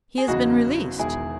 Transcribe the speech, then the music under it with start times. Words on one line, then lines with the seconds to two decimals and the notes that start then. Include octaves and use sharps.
"He has been released."
0.18 G#4
0.28 F#1 E2 C#3 D#4 F#4
0.99 E1 E2 D#3 E4 G#4